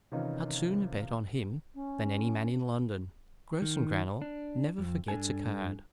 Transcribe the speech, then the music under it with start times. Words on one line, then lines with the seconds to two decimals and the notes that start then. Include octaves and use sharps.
I'd sooner bet on him than any man in London. Grossengrannel never forgets a card.
0.12 C3 D#3 E3 C#4 D#4 F4
1.75 C#4
3.62 D#3
4.22 D4
4.78 F2
5.08 G2 D4 A4 G#5